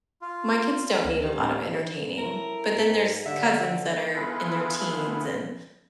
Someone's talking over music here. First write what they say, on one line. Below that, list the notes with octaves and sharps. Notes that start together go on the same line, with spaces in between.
My kids don't need a lot of entertaining, but then there's cousins that are in their teens, and
F4
D2 A#6
G4 C5 D#5
A2 C4 D4
C#4 E4 A4 A#4
G#2
D3 A3 G4 E5
B3 E4 F4 G#4 A4 B4